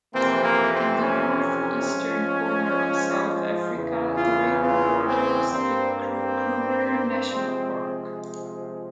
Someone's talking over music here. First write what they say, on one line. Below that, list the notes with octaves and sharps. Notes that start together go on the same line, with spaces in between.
In the north-eastern corner of South Africa the river borders the Kruger National Park.
F2 C3 E3 A#3 C4
A#3
C4
C#4
G#2 F3 G#3
E2 C#3 E3
F4
F4
C4
G2 G3 A#3 C4
C4
C3 F3 G#3